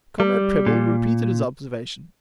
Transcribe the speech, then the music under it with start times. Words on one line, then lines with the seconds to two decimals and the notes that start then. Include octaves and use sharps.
Comrade Prebble repeated his observation.
0.20 G3
0.67 A#2